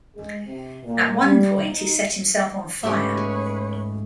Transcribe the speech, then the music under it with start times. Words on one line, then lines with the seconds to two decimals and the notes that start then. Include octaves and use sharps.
At one point he set himself on fire.
0.15 G#3
0.46 C3
0.84 A#2
1.23 G3
1.63 D#4
2.84 G#2 G#3 A3 C#4 G4 B4 C#5 E5
3.17 G#4